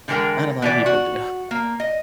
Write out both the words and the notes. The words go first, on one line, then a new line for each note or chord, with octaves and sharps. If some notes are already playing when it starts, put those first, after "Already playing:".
not a lot of people do.
D3 E3 G#3 A#4 G5
B2 E3 D5
F#4
A#3
D#5